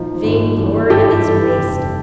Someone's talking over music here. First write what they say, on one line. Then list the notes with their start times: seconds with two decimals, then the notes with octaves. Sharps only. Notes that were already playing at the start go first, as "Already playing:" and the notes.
Vain-glory is waste.
Already playing: A#2 F3 D#4
0.24 G#1
0.57 G2 E3
0.90 G#1 G4 A4
1.24 G2 E3
1.57 F1